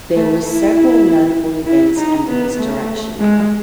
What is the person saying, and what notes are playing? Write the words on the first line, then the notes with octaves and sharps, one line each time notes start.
There were several notable events under his direction.
A3
E4
E4
D#4
B3
A3
G#3